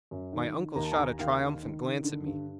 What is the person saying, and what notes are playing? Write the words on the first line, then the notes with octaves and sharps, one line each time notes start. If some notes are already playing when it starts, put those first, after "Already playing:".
My uncle shot a triumphant glance at me.
F#2
D#3
D#3
D#2 A#5
A5
G#5 A#5
D#2
D#2 F5 G5
D#3
D#3
D#3
D3
G2